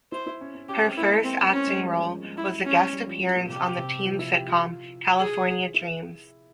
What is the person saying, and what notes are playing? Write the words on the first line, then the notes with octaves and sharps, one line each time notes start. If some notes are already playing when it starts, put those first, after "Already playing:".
Her first acting role was a guest appearance on the teen sitcom "California Dreams".
E4 C5
E4
C#4
C#4
C#4 G4
C4
A#3 E4
G#3
A#3 C4
C#4
C4 C#4
G#3
G3
F3
G3
G#3
E4
C#4
G3
F3
F3
A#2
C3 G4
C3
F3
E4
G4
F4
G#4
E4